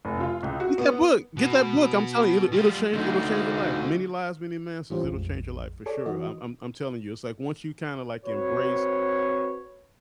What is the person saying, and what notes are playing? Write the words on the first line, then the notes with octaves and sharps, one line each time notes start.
Mm, get that book, get that book. I'm telling you, it'll it'll change it'll change your life. Many Lives, Many Masters, it'll change your life for sure. I'm I'm I'm telling you, it's like once you kinda, like, embrace
F1
F4
C#2
F#4
B3
B2
G3 F4
D2 A3 D#4
E3 G3 C#4 F4 G4 C5
A#1 F2 G#3
G#4 A4 C#5 D5 G#5 D6
E3 D#4 F#4 D#5
C4 F#4 B4 C#5